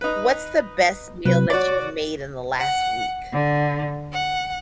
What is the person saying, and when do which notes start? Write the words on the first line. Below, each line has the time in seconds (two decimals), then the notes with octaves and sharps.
What's the best meal that you've made in the last week
0.01 D#4 B4
1.25 C3 F#3 B4
1.50 F#4 C#5 D5
2.59 F#5
3.32 D3
4.12 F#5